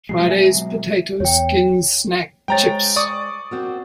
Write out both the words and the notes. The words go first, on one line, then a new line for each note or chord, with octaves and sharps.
Friday's Potato Skins Snack Chips.
B2 F#3 G#3 C7
E5 G#5
E2 C#5 G5
G#3 C5 C#5 G5 A#5 A6
D5 C#6 D#6
C4 F#4 A#4